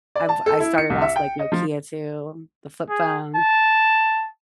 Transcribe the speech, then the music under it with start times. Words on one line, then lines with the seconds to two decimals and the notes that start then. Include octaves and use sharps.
I've I started off, like, Nokia too, the flip phone,
0.15 D5
0.29 A5
0.46 A4
0.60 E4
0.78 C#7
0.90 C2
1.02 E5
1.16 G5
1.39 D#5
1.52 F3
2.89 G#4
3.35 A5